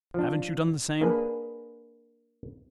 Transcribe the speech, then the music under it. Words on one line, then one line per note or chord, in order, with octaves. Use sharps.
Haven't you done the same?
F3 D4
A#3 D4 G#4 B4